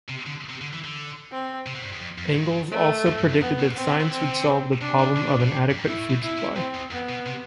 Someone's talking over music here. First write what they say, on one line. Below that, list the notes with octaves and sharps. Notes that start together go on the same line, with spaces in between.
Engels also predicted that science would solve the problem of an adequate food supply.
C3
D3
C3
D3
E3
D3
C4
C3
B2
G2
E2
F2
F2
A2
G2
A3
F2
G2
F2
F2 B3
B2
A2
B2 C4
D3
E3
D3 C4
C3
D3
C3 D4
B2
C3
B2
A2
F2
G2
A2 E4
A2
A2
B2 E4
C3
A2 C4
E2
F2 B3
B2
C3